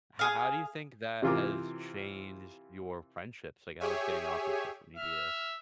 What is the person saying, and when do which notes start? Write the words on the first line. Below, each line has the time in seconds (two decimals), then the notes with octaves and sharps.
How how do you think that has changed your friendships? Like, how was getting off of social media
0.19 G#4 F5
1.22 C3 E3 F4 A#4 D6
3.80 G4 G#4 C#5 E5 G#5
4.97 E5 F6